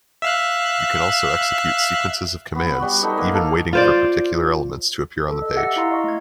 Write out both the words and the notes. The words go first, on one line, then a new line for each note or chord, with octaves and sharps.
You can also execute sequences of commands, even waiting for particular elements to appear in the page.
E5 F5 F#6
B3 F#5
G3 F#4
B3 D#4 A4
A#3 D#5
A4 F5
F4 C5 D5
A4
D#5
G4 E5 F#5 E6 A6 A#6
E4 F5 A#5 C6
D#5 C#6
A3 G#6